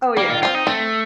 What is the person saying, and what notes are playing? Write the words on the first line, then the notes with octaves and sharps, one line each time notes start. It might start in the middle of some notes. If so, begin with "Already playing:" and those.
Oh, yeah.
G3 A#3
F4
C4 F4 G4
D#4
A3 C4